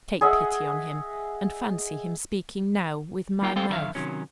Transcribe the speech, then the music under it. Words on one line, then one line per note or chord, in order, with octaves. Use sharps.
Take pity on him, and fancy him speaking now with my mouth.
G#4 D#5 E5 F#5
G3 A#3 D#4 F4 A#4 G5
G#3 C4 A4 C5 F5 G5
F#2 D#3 E4 A4 E5 F5
C3 D#3 F#3 C#4